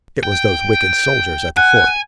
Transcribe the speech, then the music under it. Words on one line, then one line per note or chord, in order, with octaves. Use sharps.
It was those wicked soldiers at the fort!
G5
F#5 G#5